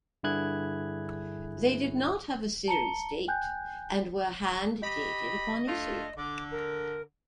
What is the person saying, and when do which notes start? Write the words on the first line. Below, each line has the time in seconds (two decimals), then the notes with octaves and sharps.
They did not have a series date, and were hand-dated upon issue.
0.23 G2 D3 E4 G#4 F#6 G#6
2.68 A5 A#5 C#7 G7
3.28 G5 G#5 F#6 G6
4.82 G4 D#5 B5
5.67 A3 D4 F4
6.17 D3 D6
6.51 A#4